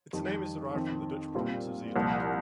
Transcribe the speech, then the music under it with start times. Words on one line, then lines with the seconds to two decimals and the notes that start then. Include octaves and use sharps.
Its name is derived from the Dutch province of Zeeland.
0.13 F2 D#3 G3
0.74 F2 D#3 C4
1.35 A#2 G3 C4 F4
1.96 C2 A#2 F3